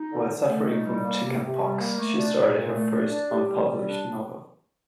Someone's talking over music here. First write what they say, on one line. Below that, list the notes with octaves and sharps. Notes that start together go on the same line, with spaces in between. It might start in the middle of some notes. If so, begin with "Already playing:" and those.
While suffering from chickenpox, she started her first, unpublished, novel.
Already playing: D#4
D3
D3
A3
D#4
G3
A#3
C3
C3
G3
A#3
A3
D4
A#2
A#2
A3
D4
D4
G4
G3
G3
D4